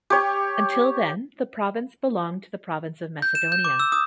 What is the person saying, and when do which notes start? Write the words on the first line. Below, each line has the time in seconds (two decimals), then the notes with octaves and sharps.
Until then, the province belonged to the province of Macedonia.
0.10 G4 C#5
3.22 G6
3.35 E7
3.52 G6
3.65 D6
3.80 E6
3.92 D#6